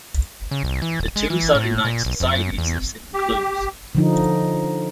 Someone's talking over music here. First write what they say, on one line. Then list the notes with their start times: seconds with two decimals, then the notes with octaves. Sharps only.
The two Saturday night societies have since closed.
0.51 C#3
0.64 C2
0.82 E3
1.00 D#1
1.16 G#3
1.30 E3
1.55 A2
1.85 A#2
2.05 B1
2.20 F2
2.35 F#2
2.58 E2
3.14 G4
3.95 D3 F3 D#4